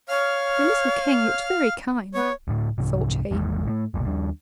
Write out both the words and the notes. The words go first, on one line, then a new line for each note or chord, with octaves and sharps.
"The little king looked very kind," thought he.
C#5 F5 F6
B3 C#5
D2 A2 A3
C2 G#2 C3
G#1 E2 G#2
A2 G#3 A3
F1 B1 A#2
D#2 G3 D4